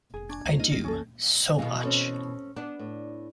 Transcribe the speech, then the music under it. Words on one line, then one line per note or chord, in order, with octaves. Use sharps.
I do, so much.
F1 G#4
D4 G#5 C#6 G#6
D2 C3 G#3 F4 C5 A#5
A#3 D#4 D#5
F#1 C2 G2 A#3
C2 F#2 E3 C#4 A4
B2 E3 D#5 F5 G#5
C4 C#4 A4
B3 D4
A2